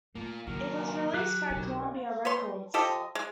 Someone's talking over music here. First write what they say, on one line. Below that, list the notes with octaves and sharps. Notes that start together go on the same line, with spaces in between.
It was released by Columbia Records.
A3 A#3 F4
D#3 F#3 A#3 E4 A#4
F#3 G4 F#6
B1 D#3 D#4
B4 C#5 C6
F3 G4 A4 D#5
G#3